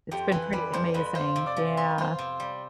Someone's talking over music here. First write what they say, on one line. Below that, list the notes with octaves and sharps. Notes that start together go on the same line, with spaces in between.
It's been pretty amazing, yeah.
F2 G4 G5
E3 B4 B5
G3 B4 B5
F2 C5 C6
F2 B4 B5
B5
F4 C5 C6
C3
D5 D6
F3
B3 C6
B5
F4 C5 C6
C3
G3